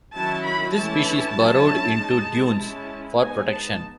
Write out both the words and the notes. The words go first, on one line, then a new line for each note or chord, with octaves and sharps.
This species burrowed into dunes for protection.
D#3 F#3 C#4 E4 A5
B5
E3 A3 C#4 E4 A5
F#3 C#4 E4
G#3 D#4
G#3 C#4 E4
G#3 B3 D#4 G#5
A5